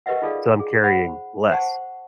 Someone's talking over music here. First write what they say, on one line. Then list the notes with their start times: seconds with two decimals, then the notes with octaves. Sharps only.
so I'm carrying less,
0.06 G4 A#4 B4 D#5 E5 F#5
0.22 D#4 F4 G#4 A4 D5 F5
0.60 G#4
0.84 C5 F#5 B5
1.50 C5 F#5 A5 C#6